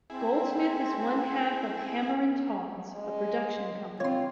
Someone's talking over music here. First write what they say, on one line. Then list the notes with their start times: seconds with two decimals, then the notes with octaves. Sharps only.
Goldsmith is one half of "Hammer and Tongs", a production company.
0.10 C4 E4 G#4
2.95 G#3
4.00 C4 F4 C#5 C6